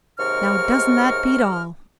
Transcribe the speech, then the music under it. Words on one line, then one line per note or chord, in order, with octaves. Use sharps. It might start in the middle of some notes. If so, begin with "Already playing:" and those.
Now, doesn't that beat all?
D#2 G#2 C3 A#4 C#6 F6